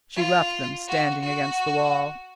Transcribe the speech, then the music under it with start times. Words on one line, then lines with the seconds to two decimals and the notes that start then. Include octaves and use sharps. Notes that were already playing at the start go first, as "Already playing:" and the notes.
She left them standing against the wall.
0.16 F4
0.88 F#4
1.23 F#4